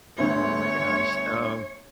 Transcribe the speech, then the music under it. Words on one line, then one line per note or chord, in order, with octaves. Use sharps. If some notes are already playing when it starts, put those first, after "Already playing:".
Oh my gosh, um
G1 D2 C#5